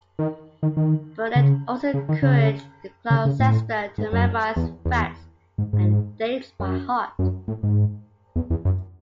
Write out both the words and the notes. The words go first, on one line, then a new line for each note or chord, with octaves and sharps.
Burnet also encouraged Gloucester to memorise facts and dates by heart.
D#3
D#3
D#3
C#3
C#3
D#3
C#3
C#3
C#3
A2
G#2
F#2
E2
E2
G#2
G#2
F#2
F#2
A2
G#2
E2
E2
F#2